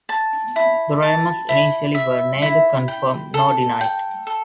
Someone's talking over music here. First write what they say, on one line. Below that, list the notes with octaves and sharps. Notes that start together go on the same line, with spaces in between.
The rumors initially were neither confirmed nor denied.
A5
E4
A5
E4
E5
E4
G5
A4
G5
A4